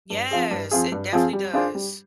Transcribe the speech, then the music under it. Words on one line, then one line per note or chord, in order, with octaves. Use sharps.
Yes, it definitely does.
G2
F3 C4 F4 G#4
G2
F3 C4 F4 G#4
G2
F3 C4 F4 G#4
G3
D4 F4 G#4 C5
G3